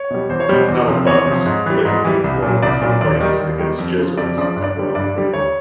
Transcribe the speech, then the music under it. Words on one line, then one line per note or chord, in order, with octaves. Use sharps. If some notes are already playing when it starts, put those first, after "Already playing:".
Palafox laid formal complaints against Jesuits at Rome.
Already playing: C#5
B2 G3
E2 C5
C#5
B2 G3 C5
E2
C3 F3
E2 C#5
C3 F3
G#2
E3 G3
G#2
E3 G3
C2
A#2 F#3
C2 D5
A#2 F#3
D#2 D5
D#3 G3
D#2
D#3 G3
F2
C#3 F3
F2 D5
C#3 F3 D5
G2
D5
D3 G3
G2 D5
D3 G3
D2 C#5